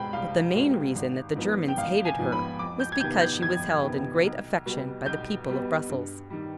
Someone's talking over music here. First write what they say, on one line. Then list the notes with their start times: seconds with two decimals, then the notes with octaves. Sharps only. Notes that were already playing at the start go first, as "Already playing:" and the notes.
But the main reason that the Germans hated her was because she was held in great affection by the people of Brussels.
Already playing: C2 B2 G#3 C4 G5 B5
0.13 C2 F5
0.55 B2 G#3 C4
0.96 G#1
1.36 G#2 F3 B3
1.68 G5
1.77 G#1 F5
2.05 G#5
2.19 G#2 F3 B3
2.32 B5
2.59 F2 D6
2.80 G6
2.92 G#6
3.00 C3 D#3 B3 G6
3.21 G6
3.42 F2 G#6
3.83 C3 D#3 B3
4.24 B1
4.66 B2 G3 B3
5.06 B1 G6
5.47 B2 G3 B3
5.89 G2
6.30 D#3 G3